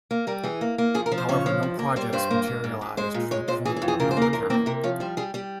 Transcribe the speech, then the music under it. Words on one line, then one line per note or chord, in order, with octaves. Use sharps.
However, no projects materialized from Point of No Return.
A#3
G3 A#4
E3 G#4
A#3
A#3
F3 G#4
A#4
F3
C5
C#3 C#5
F3
G2
A#3
G3 C5
G2 C5
A#3
G#2
G#2
G#2
G#3 C5
A#2
G#3 C#5
A#2 C5
E3 G#4
G#4
F2
G#4
C#3 A#4
C5
A#3 A#4
E2 A#4
A#3 C4
C3 A#4
F3 C#5
G3 C5
G3 G#4
G3 G4